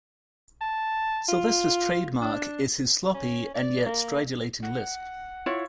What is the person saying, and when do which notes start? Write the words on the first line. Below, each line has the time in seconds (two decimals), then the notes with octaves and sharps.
Sylvester's trademark is his sloppy and yet stridulating lisp.
0.61 A5
1.29 F4
2.21 D4
3.14 C#4
3.54 D5
3.86 A#3
4.63 F#5
5.46 E4 F4 C#5